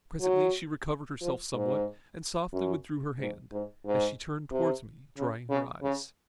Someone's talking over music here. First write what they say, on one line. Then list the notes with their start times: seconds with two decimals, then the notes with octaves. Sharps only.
Presently she recovered herself somewhat and softly withdrew her hand, as she turned towards me drying her eyes.
0.21 F#3
1.21 F3
1.54 G#2
2.53 F#2
3.19 G#2
3.52 G#2
3.86 G#2
4.51 C3
5.17 C#3
5.50 C#3
5.83 C#3